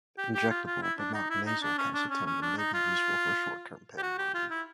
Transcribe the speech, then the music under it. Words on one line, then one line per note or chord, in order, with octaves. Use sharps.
Injectable but not nasal calcitonin may be useful for short term pain relief.
G4
G4
F4
F4
E4
D4
D#4
E4
D#4
D4
C#4
D4
C#4
C#4
D4
D#4
F4
G4
F#4
G4
F4
E4